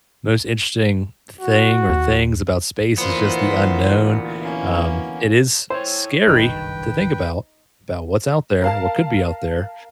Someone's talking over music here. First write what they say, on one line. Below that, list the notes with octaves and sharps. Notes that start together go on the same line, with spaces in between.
most interesting thing or things about space is just the unknown. Um, it is scary to think about about what's out there, what could be out there,
F#4
D#2
D2 A#2 E3 B3 C5
A#3 C#4
E4 A4 C5 C#5 G#5
F#1 B1 G2 D#3 D#4 B4 G5
A#4 F5 A5